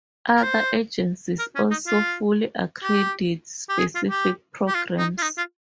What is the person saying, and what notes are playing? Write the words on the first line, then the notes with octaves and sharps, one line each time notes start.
Other agencies also fully accredit specific programs.
A#4
C5
A#4
C#4
D#4
F4
G4
G4
G#4
F4
G4
G4
F4
D#4
F4
D#4
F4